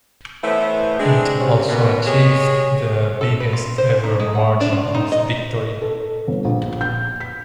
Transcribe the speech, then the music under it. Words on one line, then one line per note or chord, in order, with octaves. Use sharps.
It also achieved the biggest ever margin of victory.
E3 A3 B3 E4 C5 C#5
G#3 C4 D4
C3 C#4
B2 D#3 A#3
G#3 G4 G#4 C#5
A4
B4
F4
C5
G#5
D#4
G#3
F#5
D4
F4
D#4
D#5
A4
G1
A#1
G6
B6